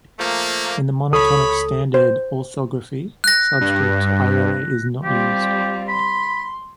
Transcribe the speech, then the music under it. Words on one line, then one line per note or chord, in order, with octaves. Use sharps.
In the monotonic standard orthography, subscript iota is not used.
F3 A3 A#3
C#2 A4 C#5 B5 D#6
C5
F#6 A#6
G2
G3 C4 F4 G4
B5 C6